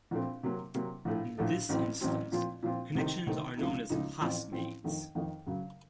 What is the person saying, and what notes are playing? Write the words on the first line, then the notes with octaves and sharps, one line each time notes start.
In this instance, connections are known as "classmates".
A#1 A#2 A3 C4
C3 F#3 A#3
C3 F#3 A#3
A#1 A2 A3
A#1 A2 A3
A1 A2 F#3 C4
A1 A2 F#3 C4
A#2 F3 C4 F4
A#2 F3 C4 F4
C2 C3 D#3 A3 D#4
C2 C3 D#3 A3 D#4
C#2 C#3 F3 A3 D#4
C#2 C#3 F3 A3 D#4
A1 A2 F3 C4
A1 A2 F3 C4
F2 D#3 A3 D#4
F2 D#3 A3 D#4
F#2 C#3 F#3